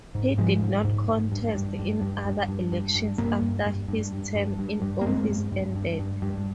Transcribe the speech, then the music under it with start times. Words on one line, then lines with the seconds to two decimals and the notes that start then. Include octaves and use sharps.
He did not contest in other elections after his term in office ended.
0.15 G#2
0.38 G#2 F3 G#3
0.62 G#2
0.85 G#2
1.09 G#2
1.32 G2
1.55 G2
1.79 G2
2.02 G2
2.25 G2
2.49 G2
2.72 G2
2.95 G2
3.18 G2 G3 A#3
3.42 G2
3.66 G2
3.88 G2
4.13 G2
4.35 G2
4.59 G2
4.82 G2
5.01 A#3
5.05 G2 G#3 C4
5.29 G2
5.52 G2
5.75 G2
6.00 G2
6.22 G2